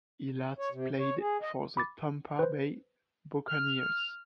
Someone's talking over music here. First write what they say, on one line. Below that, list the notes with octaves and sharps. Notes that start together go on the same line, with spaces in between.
He last played for the Tampa Bay Buccaneers.
C#5
C3
C#5
G#4
D#5
B5 D6 A6
B4 C5
F6